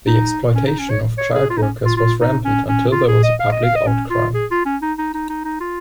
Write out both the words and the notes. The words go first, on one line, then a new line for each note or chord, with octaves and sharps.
The exploitation of child workers was rampant until there was a public outcry.
D#4
C#4
D#4
C#4
C#5
C#5
G#4
F4
D#4
C#4
F4
F4
D#4
C#4
C#4
F4
G#4
D#5
F5
D#5
F5
D#5
C#4
F4
G#4
F4
C#4
D#4
D#4
D#4
D#4
D#4
F4